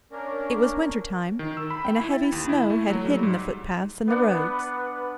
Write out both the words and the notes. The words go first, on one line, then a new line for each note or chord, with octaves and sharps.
It was winter time, and a heavy snow had hidden the foot-paths and the roads.
A#3 C#4 D4 A#4
D#3
E6
B5
G5
E4
A6
D#2
E4
A3
F#3
G3
G#2
B3 D4 B4 F#5